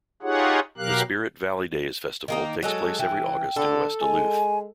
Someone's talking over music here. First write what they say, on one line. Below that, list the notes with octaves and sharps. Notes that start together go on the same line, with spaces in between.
The Spirit Valley Days festival takes place every August in West Duluth.
D#4 F4 G4 G#4 C#5 F#5
B2 F#3 G4 A#4 F5 F#6
D#3 A#3 D#4
F#3 G#3 A4
E3 G5
D3 A4
G#3 G#5